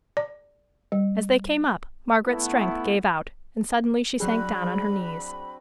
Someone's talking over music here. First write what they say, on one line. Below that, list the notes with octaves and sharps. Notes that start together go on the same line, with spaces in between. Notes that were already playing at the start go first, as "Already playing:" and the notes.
As they came up, Margaret's strength gave out, and suddenly she sank down on her knees.
D5
G3
A3 B3 E4
F#3 C4 D4 F#4 G#4 B5